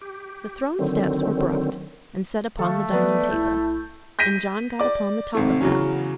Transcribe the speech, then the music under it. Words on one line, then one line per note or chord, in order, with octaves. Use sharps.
The throne-steps were brought, and set upon the dining-table, and John got upon the top of them.
G4
D3 D#3 F#3 C4
D#3 A3 A4 F5 C#6
F3 B3 B4 D5 A6
B1 E4 G6
G6 A#6 B6 D#7
D5 D6
G#1 C3 A3
E2 C#3 F#3 C#4